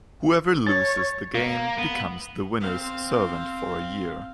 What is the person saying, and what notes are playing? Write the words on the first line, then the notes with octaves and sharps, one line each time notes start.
Whoever loses the game becomes the winner's servant for a year.
C#5 A6
A#3
B3
C4 F5